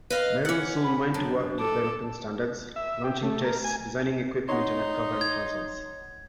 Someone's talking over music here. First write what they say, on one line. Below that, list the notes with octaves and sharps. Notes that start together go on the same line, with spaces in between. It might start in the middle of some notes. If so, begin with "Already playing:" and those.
Merrill soon went to work developing standards, launching tests, designing equipment and uncovering hazards.
B4 D#5 F5
C#4 F#5
B5
F#2 D4
A4 D6
E5
G4
A3
A#4
G#5
D#4 C#5 F#5 C6
G#6